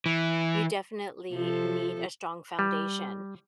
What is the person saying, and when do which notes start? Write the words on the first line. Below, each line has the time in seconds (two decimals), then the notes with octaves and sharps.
you definitely need a strong foundation,
0.06 E3
1.32 C3 F3 A4
2.59 G3